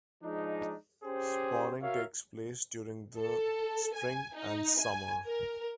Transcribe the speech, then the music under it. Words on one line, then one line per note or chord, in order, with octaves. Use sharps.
Spawning takes place during the spring and summer.
F3 G#3 D4 D#4
C#4 G4 G#4 C5
F#4 A#4 C#5 E5 F5
A4
G#5
D#4
G#5
A#4